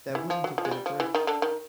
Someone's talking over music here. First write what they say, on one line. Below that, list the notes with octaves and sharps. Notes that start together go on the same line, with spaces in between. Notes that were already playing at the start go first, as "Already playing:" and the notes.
There wouldn't have been a bridge.
E3
F3
F#3
F3
G#3
G3
F3
E3
D#3
D3
D#3